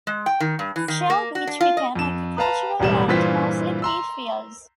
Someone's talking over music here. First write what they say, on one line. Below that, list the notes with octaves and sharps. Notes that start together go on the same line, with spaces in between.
Shell Beach became agricultural land, mostly pea fields.
G#3
G5
D#3
G2
E3
D#3
A#3
F#4
D4
F4
D#5
F2 E7
B4 F5 A5 A#5
E1 A1 G3 E7
G2 A#2 E3 F4 C5 B6
A#5 C6 E6